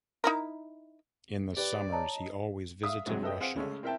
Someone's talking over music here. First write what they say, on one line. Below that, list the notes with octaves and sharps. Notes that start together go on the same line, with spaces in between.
In the summers he always visited Russia.
D#4 E4 A#4
G4 B4 D5
C#5 D#5 A5 A#5
E5 F5 D#6
G#2 C3 F#3 G#3
A4 B4 D#5 G5
C4 G#4 C5 F5 F#5
C#3 G#3 A3 C#4
C4 E4 A#4 E5 G5 A5